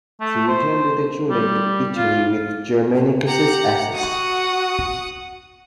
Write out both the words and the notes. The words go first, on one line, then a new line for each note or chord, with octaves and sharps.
She returned with her children to Italy with Germanicus' ashes.
A3
C5
G3
F4
G4 F#5 A#5
F#4 F#5 D#6